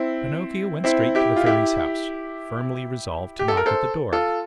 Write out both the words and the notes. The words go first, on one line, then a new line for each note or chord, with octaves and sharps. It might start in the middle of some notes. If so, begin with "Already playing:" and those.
Pinocchio went straight to the Fairy's house, firmly resolved to knock at the door.
Already playing: C4 E4
C4 E4
E4 G4
F4
E4 G4
G4
A4
A#4
A4 C5
F4 A4